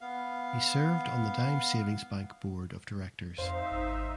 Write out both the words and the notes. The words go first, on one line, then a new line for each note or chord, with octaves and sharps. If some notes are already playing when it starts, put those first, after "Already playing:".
He served on the Dime Savings Bank board of directors.
B3 F5
F2 D#4 C5 E5 F5
G#1